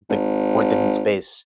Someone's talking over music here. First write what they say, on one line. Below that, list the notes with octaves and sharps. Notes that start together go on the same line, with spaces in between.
the pointed in space,
G#1